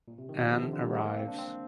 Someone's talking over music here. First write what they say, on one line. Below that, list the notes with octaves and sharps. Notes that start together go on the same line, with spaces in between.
Anne arrives.
A#2
C3
D#3
F3
C3
D3
D3
G3
G#3
A#3
C4
D4
C4